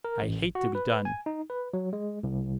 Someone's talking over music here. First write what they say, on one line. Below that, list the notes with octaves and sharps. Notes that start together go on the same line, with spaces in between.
I hate to be done.
A#4
A1
F#4
B4
G#5
D#4
B4
F#3
G#3
C2